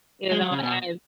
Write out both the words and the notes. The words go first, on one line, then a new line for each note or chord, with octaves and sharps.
You know, as
G#3
F#3
C#3
B2